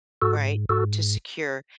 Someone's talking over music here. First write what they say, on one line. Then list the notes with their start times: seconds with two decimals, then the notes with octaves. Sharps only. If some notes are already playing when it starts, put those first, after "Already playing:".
right, to secure,
0.22 G#2 F#4 A4
0.69 G#2 F#4 A4